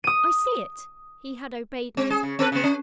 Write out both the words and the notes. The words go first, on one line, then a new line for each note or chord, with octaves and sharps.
"I see it." He had obeyed me.
D#6 D#7
C4
G#4
C#3
C4 A4 B4
C#3 B3
C#4